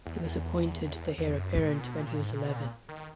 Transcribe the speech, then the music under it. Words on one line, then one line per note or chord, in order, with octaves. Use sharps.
He was appointed the heir apparent when he was eleven.
E2
E2
E2
F#2
G#2
A#2
B2
A#2
A#2
G#2
A#2
B2
A#2
D#3